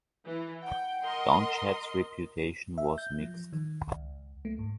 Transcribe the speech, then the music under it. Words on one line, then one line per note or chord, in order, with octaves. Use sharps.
Donnchad's reputation was mixed.
E3
F#5 G5
A#4 D#5 C6
E5
G6
F3
D#3
C#2
A3
G#2